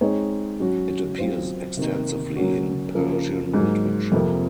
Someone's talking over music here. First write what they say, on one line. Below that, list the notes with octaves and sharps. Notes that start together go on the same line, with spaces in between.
It appears extensively in Persian literature.
G#3 C4 D#4 G#4 C#5
F#3 C#4 F#4
F#3 C4 F4 C5
C3 D#3 A#3 D#4
F#3 A#3 C#4 F#4
C#3 F3 A#3
G#2 F#3 A#3
F2 C3 F3 A#3